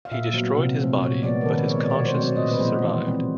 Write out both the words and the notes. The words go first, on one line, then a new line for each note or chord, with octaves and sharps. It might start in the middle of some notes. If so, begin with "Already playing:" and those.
He destroyed his body, but his consciousness survived.
F5
A#2 E5
F#3 B3
C3
F3 A3 C4
A#2 C#5
F3 G#3 B3 D5
A#4
D#3 A4
B4
G#3 B3 C#5
D5
B2 C#5
C5
F#3 A3 C4
D5
A#2 D#5
B4
F3 G#3 B3 C5
E3
G3 C4